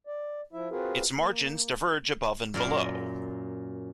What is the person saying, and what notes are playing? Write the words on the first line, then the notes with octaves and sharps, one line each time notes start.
Its margins diverge above and below.
D5
F3 E4 E5
C4 F4 F#4 G#4 A#4 B4
A#3
F#2 A#2 A#4